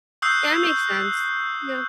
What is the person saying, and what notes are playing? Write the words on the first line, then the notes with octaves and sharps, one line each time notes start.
Yeah, that makes sense, yeah.
C#6 D#6 E6 F#6 G6 C7